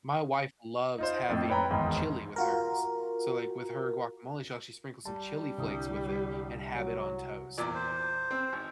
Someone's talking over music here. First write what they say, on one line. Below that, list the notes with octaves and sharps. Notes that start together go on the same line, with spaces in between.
My wife loves having chili with hers. So, like, with her guacamole, she'll actually sprinkle some chili flakes with it and have it on toast.
D#4 F4 C5
F2 A2
B4 C#5 G5 A#5 B5
G#1 E2 G#2
F4 F#4 A#4
G3 A5
C2 D3 D#6
F#3
E2 A#2 D5
C5
C4
G#1